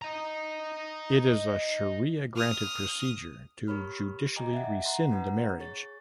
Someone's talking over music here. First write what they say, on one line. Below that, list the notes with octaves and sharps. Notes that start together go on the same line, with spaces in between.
It is a Sharia-granted procedure to judicially rescind a marriage.
D#5 A#5
D#6 F6
G4 A#4 C#5 B5 F6
D#5 G5 G#5 A#5 D6
E5 F#5
F#5 A#5 C6
C#4 D#4 B4 F#5 A#5
G#4 C#5 A6